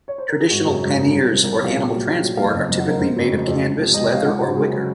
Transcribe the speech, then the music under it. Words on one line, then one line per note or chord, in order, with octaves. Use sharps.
Traditional panniers for animal transport are typically made of canvas, leather, or wicker.
C#5
C5
A#4
G#4
G#1 F#4
F#2 C#3 G#4
G#1
F#2 C#3
C2
C3 F3
C2 A#4
C#5
C3 F3 F5
A#1
A#2 F#3
A#1
A#2 F#3
F#1 F5
D#5
F2 C#3 F3
F#1
F#5
F2 C#3 F3 A#4
F1 C5
F2 C#3 F#3
F1
F2 C#3 F#3
C#2
C3 F3
C#2 D#5
C#5
C3 F3 F5
C#2 F#5
C#3 F#3 C5
C#2 G#4
C#3 F#3